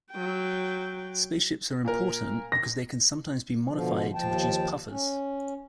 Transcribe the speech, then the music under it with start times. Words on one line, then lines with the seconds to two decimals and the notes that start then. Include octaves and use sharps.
Spaceships are important because they can sometimes be modified to produce puffers.
0.12 F#3 G5
1.85 A#2 A#4
2.52 A#6
3.69 B2 D3 F3
4.15 D#2 F3 G5 A5
4.89 C#4